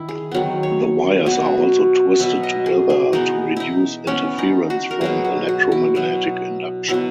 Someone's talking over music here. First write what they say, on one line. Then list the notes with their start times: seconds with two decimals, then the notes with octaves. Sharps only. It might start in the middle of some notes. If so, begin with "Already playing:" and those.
The wires are also twisted together, to reduce interference from electromagnetic induction.
Already playing: D#3 E4
0.09 G#4
0.31 D#3 F#3 B3
0.63 C#5
1.26 B2 F#3 B3
2.19 B2 F#3 B3 E5
2.43 D#5
2.66 G#4
2.90 G#4
3.13 E3 B3 D#4
3.56 D#4 E4
4.07 E3 B3 C#4
4.38 D#4
4.70 F#4
4.91 A#4
5.01 B2 F#3 B3 G#4
5.25 F#4
5.48 F#4
5.72 E4
5.95 B2 F#3 B3
6.89 B2 F#3 B3 E4